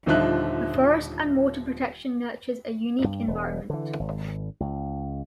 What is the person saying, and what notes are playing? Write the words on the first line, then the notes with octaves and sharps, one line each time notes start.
The forest and water protection nurtures a unique environment.
D#1 D3 F3 D#4 E5 F#6
G2
E1
D3 E3
G#1
C#2